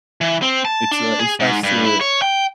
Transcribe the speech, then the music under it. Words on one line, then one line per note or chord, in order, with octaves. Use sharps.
It's, uh, it's nice to
E3
C4
A5
D4
G#4
G#2
G2
E4
C#5
G5